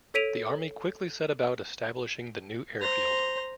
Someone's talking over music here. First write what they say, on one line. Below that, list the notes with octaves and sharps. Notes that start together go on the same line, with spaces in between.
The Army quickly set about establishing the new air field.
A4 C#5 B6 D7 D#7 F7
C5 A#5